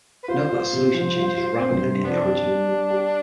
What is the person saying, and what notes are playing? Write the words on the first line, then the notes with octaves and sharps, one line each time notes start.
Note that the solution changes rapidly near the origin.
B4
F4 C5
F4
C3
F3
F4
F4
C4
C3
B3 C4 D4
G4
G3
G3
G4